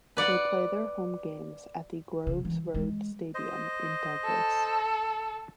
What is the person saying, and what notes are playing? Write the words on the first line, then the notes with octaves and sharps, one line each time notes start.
They play their home games at the Groves Road stadium in Douglas.
B4 D5 F#5
C#3
E3
G#3
C5 D#5
A4